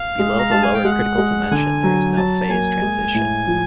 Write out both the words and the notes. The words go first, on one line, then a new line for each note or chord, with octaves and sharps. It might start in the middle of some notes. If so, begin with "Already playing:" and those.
Below the lower critical dimension there is no phase transition.
Already playing: F5
G#3
A#5
G#3 A5
G#5
G5
G#3 F#5
G#3
D3 G#5
F#3
F#3 A5
A#3 G#5
G#3
A2
F3